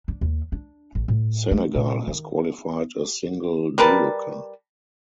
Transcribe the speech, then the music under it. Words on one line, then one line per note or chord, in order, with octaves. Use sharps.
Senegal has qualified a single judoka.
D4
D#2
D4
A1
A2
A3
A#2
D#3
G3 A#4 B4 A5